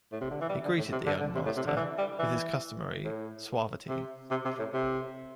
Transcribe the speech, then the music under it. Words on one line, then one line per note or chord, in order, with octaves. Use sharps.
He greeted the young master with his customary suavity.
A2
C3
D3
E3
G3
D3
A2
C3
D3
D3
C3
A2
C3
D3
E3
G3
E3
A2
C3
C3
C3
A2
C3